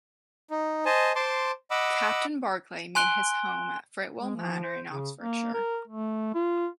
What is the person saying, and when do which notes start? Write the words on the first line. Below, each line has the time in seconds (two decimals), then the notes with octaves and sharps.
Captain Barclay made his home at Fritwell Manor in Oxfordshire.
0.50 D#4
0.85 C5 D#5 G#5 A5
1.16 C5 A5 C6 D6
1.71 D#5 F#5 B5 D6 E6
2.95 G#5 C6 F#6 D7 G7
4.21 G#3
4.36 F3
4.63 C5
4.90 C#3
5.19 A#3
5.54 A#4
5.88 A3
6.34 F4